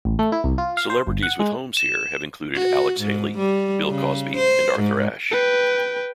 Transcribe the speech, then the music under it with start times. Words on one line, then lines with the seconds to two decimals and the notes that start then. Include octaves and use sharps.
Celebrities with homes here have included Alex Haley, Bill Cosby, and Arthur Ashe.
0.05 A1
0.19 A3
0.32 E4
0.44 C2
0.58 F4
0.77 F5
0.90 C5
1.07 G1
1.23 F#5
1.40 G#3
1.77 E7
2.55 F#4
3.01 G#2
3.38 G3
3.90 C#3
4.37 C5
4.80 G#2
5.31 B4 G5